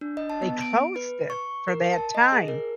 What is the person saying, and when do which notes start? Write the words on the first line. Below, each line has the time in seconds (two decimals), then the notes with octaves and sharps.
they closed it for that time.
0.01 D4
0.17 D#5
0.30 A5
0.42 B3
0.61 D7
0.96 B4
1.30 C#6
1.68 A#4
1.93 A5
2.15 D#5
2.32 G#4
2.48 A#4